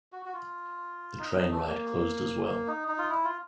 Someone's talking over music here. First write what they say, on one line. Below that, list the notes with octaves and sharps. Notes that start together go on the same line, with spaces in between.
The train ride closed as well.
F#4
F#4
F4
D#4
D#4
A3
A#3
A#3
D#4
D#4
F4
E4
F4